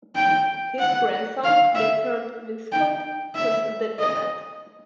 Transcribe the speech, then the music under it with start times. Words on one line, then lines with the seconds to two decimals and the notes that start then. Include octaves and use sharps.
His grandson, the third Viscount, was a diplomat.
0.15 G5
0.79 F#5
1.44 F5
1.75 E5
2.72 G5
3.36 E5
3.99 D#5